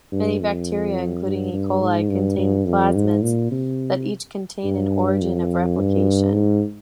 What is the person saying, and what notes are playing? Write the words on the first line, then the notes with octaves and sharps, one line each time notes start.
Many bacteria, including "E. coli", contain plasmids that each contain an origin of replication.
G2
F2
G2
G2
G#2
G2
G2
F2
G#2
A#2
C3
G2
F2
G2
G#2